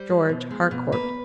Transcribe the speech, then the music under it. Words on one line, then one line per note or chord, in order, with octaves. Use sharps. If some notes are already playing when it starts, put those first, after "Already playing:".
George Harcourt.
Already playing: G3 C5
G#3
B2
G#3
B2
A#3 B4